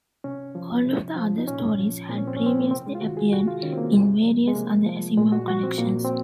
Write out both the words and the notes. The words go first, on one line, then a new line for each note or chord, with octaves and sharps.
All of the other stories had previously appeared in various other Asimov collections.
C3 C#4
F3
C3
F3
D#4
A#2 C#4
F3
A#2 C4
C#4
C4
F3 C#4
C4
A#3
C3 C4
G#3
F4
D#3 F#4
G#4
C3 F#4
F4
D#3 C#4
C4
A#3
C3 G#3
F3
G#3
C3 A#3
F3
A#2 G#3
F#4
F3 F#4
C4
A#2 A#3
C4